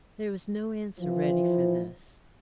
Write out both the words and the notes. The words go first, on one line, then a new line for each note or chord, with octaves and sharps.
There was no answer ready for this.
E3 F3